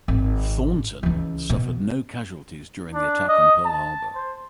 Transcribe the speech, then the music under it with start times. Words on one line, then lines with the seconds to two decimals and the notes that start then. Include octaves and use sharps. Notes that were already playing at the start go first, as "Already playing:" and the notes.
"Thornton" suffered no casualties during the attack on Pearl Harbor.
0.08 G#1
1.03 C#2 E3
1.50 B2
2.94 D4
3.28 D#5
3.65 A5
4.15 C5